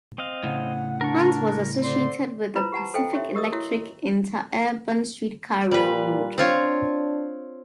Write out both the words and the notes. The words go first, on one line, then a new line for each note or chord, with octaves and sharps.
Hunt was associated with the Pacific Electric interurban streetcar railroad.
C4 D#5 F5
A2 C#3 F#5
D4 A#4 C#6
D3 C4 C5 D5 C6
E4 F4 B4 C5 A#5
G4 F#5 A5 A#5
A4 C5 D#5 F5 G5
E4 F#4 G4 C#5 E5
G4 A#4 D#5 D#6 E6
E4 F#4 C#5
A#2 G3 B4
C4 D4 F4 C#5